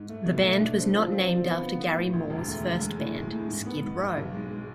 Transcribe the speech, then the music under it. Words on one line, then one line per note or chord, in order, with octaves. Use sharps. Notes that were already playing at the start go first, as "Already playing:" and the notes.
The band was not named after Gary Moore's first band, Skid Row.
Already playing: G#2
A3
B2
A3
D4
C4
F3
C4
F3
B3
B3
B3
A2
D2
E1
A3
D2
G#3
A2
G#3
A2
G#2
B3
G#2
G#2
B1
G#3
G#3